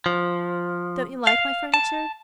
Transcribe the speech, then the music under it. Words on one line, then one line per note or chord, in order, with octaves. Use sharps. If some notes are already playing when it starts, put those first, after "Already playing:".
Don't you like my furniture?
F3
F5
A5